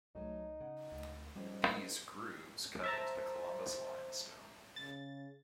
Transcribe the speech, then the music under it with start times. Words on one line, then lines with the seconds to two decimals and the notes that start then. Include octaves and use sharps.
These grooves cut into the Columbus Limestone.
0.15 C2 F#3 A3 D#4
0.61 C#3 F#5
0.92 D2
1.36 G#2 F3 G3 C#4 A4
1.72 C#4 E4 G4 A#4
2.84 C5 E5 A5 A#5
4.76 C#3 A6